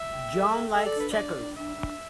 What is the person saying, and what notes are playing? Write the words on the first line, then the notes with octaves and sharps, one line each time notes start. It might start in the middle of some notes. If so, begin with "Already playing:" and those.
John likes checkers.
Already playing: E5
G5
A4
G5
A4 E5
D5
D4
B4
D4 D5
D4
D4 E5
D4